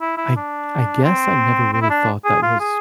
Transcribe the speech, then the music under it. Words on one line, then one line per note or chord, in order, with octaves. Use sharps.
I I guess I never really thought that was
E4
E4
D4
C4
C4
E4
D4
G#4
F4
G#4